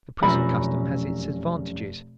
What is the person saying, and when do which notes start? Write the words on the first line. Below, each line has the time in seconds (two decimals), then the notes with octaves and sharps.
The present custom has its advantages.
0.23 F1 F#2 B2 C#4 F4 E5 A#5 B5